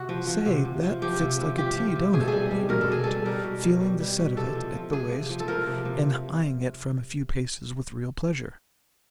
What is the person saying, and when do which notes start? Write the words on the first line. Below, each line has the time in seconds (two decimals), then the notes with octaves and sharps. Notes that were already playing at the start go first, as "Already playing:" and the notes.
"Say, that fits like a T, don't it?" he remarked, feeling the set of it at the waist and eyeing it from a few paces with real pleasure.
Already playing: C3 F#4
0.09 F3
0.28 F3
0.46 C3
0.65 C3
0.84 F3
1.02 F3 G4
1.21 C3
1.39 C3
1.58 F3 G4
1.77 F3
1.96 C3
2.13 B2 G#4
2.21 A4
2.28 G3 G#4
2.51 G3
2.69 B2 A#4
2.81 A4
2.88 B2 G#4
3.04 G3 A4
3.26 G3 A#4
3.43 B2
3.63 B2
3.80 G3
4.00 G3
4.18 B2
4.37 C3 A4
4.55 F3
4.75 F3
4.92 C3 G#4
5.11 C3
5.29 F3
5.40 A4
5.48 F3 A#4
5.66 C3
5.85 C3